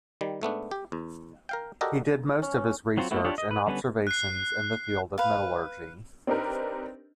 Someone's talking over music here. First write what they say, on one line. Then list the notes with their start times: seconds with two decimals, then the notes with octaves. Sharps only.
He did most of his research and observations in the field of metallurgy.
0.21 D#3 G3
0.41 G#2 A3 B3 D4
0.71 G4
0.92 E2
1.49 A#4 F5 G5
1.81 F#4 G4 A4 A#4 D5 D#5
2.42 C#4
2.97 F#3 C4 F4 F#4
3.11 A3 B3 C4 E4 F#4
3.25 D4 F4 G4 C#5
3.38 D#5
3.51 B4
3.67 D3 G3 B3 C#4 B4
4.07 F#6 C7
5.18 B4 F5
6.27 C4 D4 D#4 G4 A#4 B4